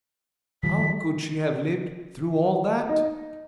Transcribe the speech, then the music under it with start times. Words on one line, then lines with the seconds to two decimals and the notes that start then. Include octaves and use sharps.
How could she have lived throughout all that?
0.63 D#3 F3 G3 B6
2.89 D#4